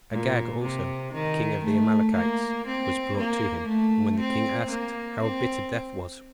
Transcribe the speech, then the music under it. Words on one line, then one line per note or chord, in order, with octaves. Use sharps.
Agag also, the king of the Amalekites, was brought to him; and when the king asked, How bitter death was?
A#2
C3
D#3
A3
A#3
C4
A#3
A3
C4
A#3
C4